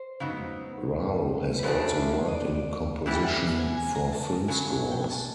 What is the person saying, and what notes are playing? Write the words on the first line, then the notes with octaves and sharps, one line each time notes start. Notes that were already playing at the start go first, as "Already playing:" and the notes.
Rao has also worked in composition for film scores.
Already playing: C5
C#3 F#3 B3 D#4
B4
E2 C#3 F#3 A3 D4 C5
D#5
D5
G#2 E3 G3 C4 E4 E5
G5
F#5
F#5
G#5
G#5
A#5
A5
G2 D3 F#3 G#5
G5
G#5
A5